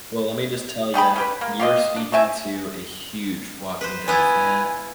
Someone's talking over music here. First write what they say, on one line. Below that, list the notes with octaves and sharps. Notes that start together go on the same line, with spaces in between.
Well, let me just tell you, you are speaking to a huge Walking Dead fan.
G3 G#4 G5 B5
C#4 G4 B4
A#3
F4 G4 C5 D#5
D4
A3 C4 E5 G#5
B4 C5
B3 E4 F4 B4 G#5